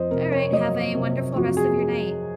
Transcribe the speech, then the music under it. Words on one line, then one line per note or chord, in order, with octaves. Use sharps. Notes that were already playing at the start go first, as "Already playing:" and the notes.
All right, have a wonderful rest of your night.
Already playing: F2 C5 D#5
C3 A#4
C#5
F#3 D#5
C3
F2 F#4
G#4